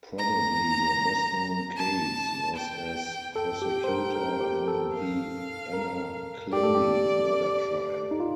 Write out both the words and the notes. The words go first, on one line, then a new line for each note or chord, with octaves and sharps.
Probably her best-known case was as prosecutor in the Anna Climbie murder trial.
A#5
A5
G5
A4 G5
G4
C5
A#4
A#4
G4
A4
F5
A#4
G4 D5
A4
G4
D#4
F4